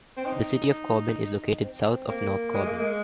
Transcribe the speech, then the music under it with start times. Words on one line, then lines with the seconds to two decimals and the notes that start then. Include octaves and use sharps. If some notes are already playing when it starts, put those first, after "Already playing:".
The city of Corbin is located south of North Corbin.
0.17 C4
0.26 D#4
1.63 C4
2.09 A#3
2.54 G#3
2.67 A#3
2.79 G#3